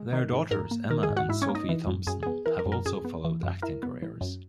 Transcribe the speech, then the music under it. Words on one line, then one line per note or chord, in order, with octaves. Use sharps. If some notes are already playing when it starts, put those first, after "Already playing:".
Their daughters Emma and Sophie Thompson have also followed acting careers.
Already playing: G#3
D#3
G#2
G#2 A#4
A#3
D#3 A#4
G#4 G#5
G#2
F#4 F#5
G#2 E4 E5
C#4 C#5
A#3
D#4 D#5
E3
F#2
F#2 G#4
B3 G#4
E3 A#4
A#4
F#2
A#4
F#2 G#4
B3
E3
F#2
E4 A#4
B3
E3
F#2